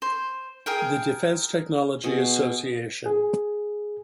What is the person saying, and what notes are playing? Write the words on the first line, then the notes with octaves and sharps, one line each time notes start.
The defence technology association.
C5
G#4 A#4 G5
B2 G#4
G#4